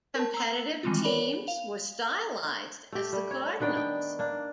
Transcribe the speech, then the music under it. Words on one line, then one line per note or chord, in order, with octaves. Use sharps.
Competitive teams were stylized as the Cardinals.
A#4 A5
A#5 E6
D#3 E3 G3 G#3 C4 F4
A#4 C#5 D5 B5
F5 F7
A3 G4
G3
C#5
D#3 B3 D4 G5
G5
A#3 D4